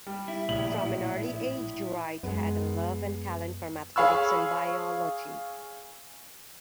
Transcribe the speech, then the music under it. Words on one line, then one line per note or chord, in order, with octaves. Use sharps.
From an early age Wright had a love and talent for mathematics and biology.
G3
E4
A#1 A2 F#7
F#2 G#3 B3
G#4 C#5 F5 B5 C#6 E6